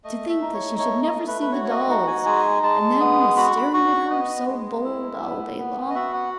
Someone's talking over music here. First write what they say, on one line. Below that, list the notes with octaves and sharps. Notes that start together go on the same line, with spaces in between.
To think that she should never see the Dolls--and them a staring at her, so bold, all day long!
A3 D#5
E5
D#4
C#5
A3 C#5
D#5
A3
B4
B4
F#4 C#5
C#5
D#5
D#4 F#5
G#5
G#3 G#5
G#3 A5
B3 D#6
F#4 B5
C#6
B5
F#4 C#6
B3 D#5
G#3
E4
B3
B3
D#5
F#4 E5
F#5